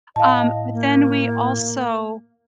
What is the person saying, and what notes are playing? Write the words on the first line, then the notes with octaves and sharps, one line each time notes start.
um, but then we also,
A2 D#5 F5 A5
A#3